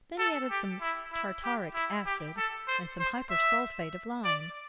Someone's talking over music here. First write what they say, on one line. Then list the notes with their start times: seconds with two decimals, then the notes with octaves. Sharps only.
Then he added some tartaric acid and some hypersulphate of lime.
0.19 A4
0.50 G4
0.81 E4
1.12 E4
1.44 G4
1.74 E4
2.06 G4
2.37 A4
2.68 C5
3.00 C5
3.30 E5
4.24 D5